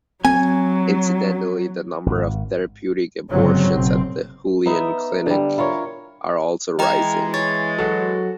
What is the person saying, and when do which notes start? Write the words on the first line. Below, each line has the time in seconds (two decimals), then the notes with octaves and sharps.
Incidentally, the number of therapeutic abortions at the Julian Clinic are also rising.
0.25 F#3 C4 G#5
2.06 G#1
3.30 G1 G#2 C#3 F#3 C4 C#4
3.72 F#1 B2 C4
4.66 B3 D#4 E5
5.26 D3 G3
5.58 E4 F4 A#4 C#5
6.79 E3 G#3 D#5 G5 A#5 F6 G#6
7.34 C#5 A6
7.78 F#3 F#4 A4